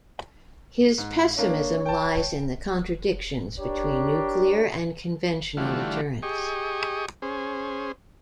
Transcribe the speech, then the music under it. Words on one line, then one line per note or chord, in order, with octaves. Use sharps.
His pessimism lies in the contradictions between nuclear and conventional deterrence.
G#2
A#3 D4 C#5
G5 A5
D4 G4 A#4 C#5 D5
D3 E3 G3 A3 F4 F#4
G4 G#4 D#5 C#6
C#4 G#4 C5